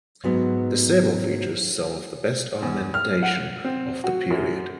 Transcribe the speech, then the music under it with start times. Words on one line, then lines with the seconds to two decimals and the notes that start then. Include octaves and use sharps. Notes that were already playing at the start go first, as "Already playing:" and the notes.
The sebil features some of the best ornamentation of the period.
0.24 G#2 F#3 B3
2.62 E2
2.94 F6
3.23 F#5
3.64 C4
4.04 F#4
4.30 F#2